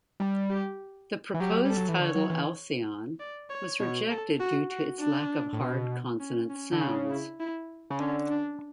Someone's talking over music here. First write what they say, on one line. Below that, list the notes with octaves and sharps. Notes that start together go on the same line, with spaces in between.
The proposed title "Alcion" was rejected due to its lack of hard consonant sounds.
G3
G4
E3
F#3 G4
G3
A4
F#3
E3
D3 C#5
F#3
E3
D5
C#5
B2 C#5
A4
F#4
F#4
D4
A2
B2
C#4
C#4
D3
C#3 D4
E4
E4
C#3
D3 C#4
D4